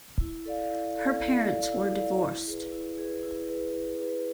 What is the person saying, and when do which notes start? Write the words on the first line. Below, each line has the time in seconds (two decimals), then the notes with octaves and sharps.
Her parents were divorced.
0.20 E4
0.46 A4 D5 F5
0.71 E4
0.96 A4 D5 F5
1.21 E4
1.46 A4 D5 F5
1.72 E4
1.97 A4 D5 F5
2.22 E4
2.48 G#4 B4
2.72 E4
2.98 G#4 B4
3.23 E4
3.49 G#4 B4
3.73 E4
3.99 G#4 B4